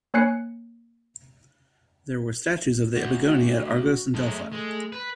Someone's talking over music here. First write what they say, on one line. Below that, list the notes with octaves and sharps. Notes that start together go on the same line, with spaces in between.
There were statues of the Epigoni at Argos and Delphi.
A#3 C#5 G#5 F#6 C7 C#7
D2 F#4
F#2 G#3 A3
G#3
B4